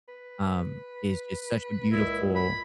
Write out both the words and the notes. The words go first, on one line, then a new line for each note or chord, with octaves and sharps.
um, is just such a beautiful,
B4
C#2 A#2 E4
B5